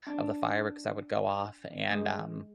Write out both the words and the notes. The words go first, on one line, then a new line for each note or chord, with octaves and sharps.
of the fireworks that would go off, and, um
D4
G#3